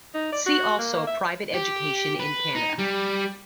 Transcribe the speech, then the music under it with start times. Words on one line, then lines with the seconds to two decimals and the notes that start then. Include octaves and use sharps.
See also Private Education in Canada.
0.14 D#4
0.33 D5
0.46 F#4
0.79 A#3
1.07 E5
1.54 G4
2.20 B4
2.55 D#4
2.79 G3